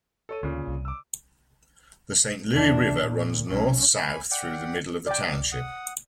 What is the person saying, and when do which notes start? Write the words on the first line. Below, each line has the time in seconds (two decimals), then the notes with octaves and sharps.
The Saint Louis River runs north-south through the middle of the township.
0.29 A4 C#5 D#7
0.43 D2 A#2 C#3
0.67 C2
0.85 D6 E6
2.52 E2 D4
2.98 A#2
3.48 B1 C#4
3.96 G#5 B5
4.31 D5 F#5 G5
5.07 D5 G5 D6
5.52 F#5 D#6